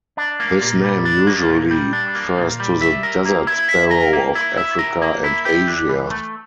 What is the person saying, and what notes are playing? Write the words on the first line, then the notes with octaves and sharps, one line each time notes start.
This name usually refers to the desert sparrow of Africa and Asia.
D4
A#3
A#2
G3
D4
A#3
A#2
G3
D4
A#3
A#2
G3
E5
A#4
A#3
E4
E5
A#4
A#3
E4
E5
A#4
A#3
E4
G4
D4
E3
A3